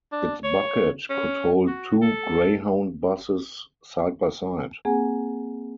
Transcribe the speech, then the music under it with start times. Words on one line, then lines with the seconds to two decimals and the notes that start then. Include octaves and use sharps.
Its bucket could hold two Greyhound buses side by side.
0.12 D4
0.44 C#5
1.09 C#4
1.67 F#4
2.01 A4
4.85 A#3 C4 G#4 F#5 G#5